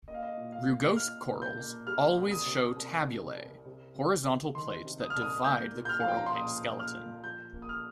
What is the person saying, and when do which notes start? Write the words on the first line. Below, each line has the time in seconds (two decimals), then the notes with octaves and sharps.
Rugose corals always show tabulae, horizontal plates that divide the corallite skeleton.
0.08 A#3 D#5
0.14 F5
0.23 D#5
0.38 A#2
0.52 F5
0.67 A#2
0.96 A#2 F6
1.27 A#2
1.42 G6
1.57 A#3
1.87 G3 F6
2.17 C2
2.31 D#6
2.46 C3
2.76 C2
3.06 C2
3.36 C2
3.65 C3
3.95 C3
4.26 D#3
4.55 D#3 C6
4.85 C3
5.00 D#6
5.10 F6
5.15 C2
5.22 D#6
5.44 A#3 G6
5.75 A#2
5.85 G6
5.89 F6
6.00 F5
6.05 F3 G5
6.17 A#5
6.26 C6
6.35 A#2 D#6
6.65 A#2
6.80 F6
6.94 A#2
7.24 F3 G6
7.54 A#3
7.62 D#6
7.69 F6